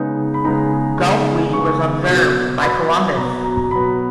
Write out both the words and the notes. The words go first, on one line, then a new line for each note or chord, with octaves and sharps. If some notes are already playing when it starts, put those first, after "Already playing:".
Gulfweed was observed by Columbus.
Already playing: C#3 G#3 B3 D#4
B5
C#3 G#3 B3 D#4 A#5
C#3 G#3 B3 D#4
C#3 G#3 B3 D#4 C#6
B2 F#3 B3
B2 F#3 B3 B5
B2 F#3 B3 A#5
A#5
A#5
B2 F#3 B3 B5